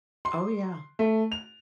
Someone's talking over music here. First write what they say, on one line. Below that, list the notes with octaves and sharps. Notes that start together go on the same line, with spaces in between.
Oh, yeah.
C6
A3
F7